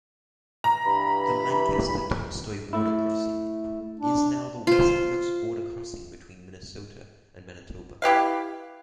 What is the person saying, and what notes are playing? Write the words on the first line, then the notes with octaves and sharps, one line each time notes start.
The Lancaster–Tolstoi Border Crossing is now the westernmost border crossing between Minnesota and Manitoba.
A#5
G2 E3 B5
A3 E4
D4
F4 C5
E4 G4 B4 F5